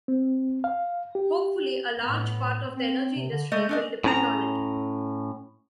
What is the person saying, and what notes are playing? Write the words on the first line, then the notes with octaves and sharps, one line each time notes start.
Hopefully, a large part of the energy industry will depend on it.
C4
F5
G4
A2 B3
C4
C3
D3
G#3 A3 D#5
A3 C#4 D4 D#5
A2 C#4 A#5